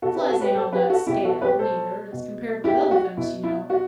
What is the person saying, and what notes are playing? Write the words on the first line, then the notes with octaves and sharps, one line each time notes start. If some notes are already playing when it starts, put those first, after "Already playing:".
Flies an't on that scale, neither, as compared with elephants, you know!
B2 F#4 A4
G4 B4
F#4 A4
G4 B4
A4 C5
G4 B4
F#4 A4
B2 E4 G4
F#4 A4
G4 B4
A4 C5
B2
E4 G4
G4
F#4
B2 E4
E4
F#4